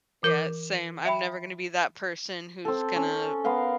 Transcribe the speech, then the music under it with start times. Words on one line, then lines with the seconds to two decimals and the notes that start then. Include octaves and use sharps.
Yeah, same. I'm never gonna be that person who's gonna,
0.23 E3 A#4 D6
1.05 E5 G5 B5
2.65 C4 A4
2.96 C#4
3.44 B3 A#4 F5 C6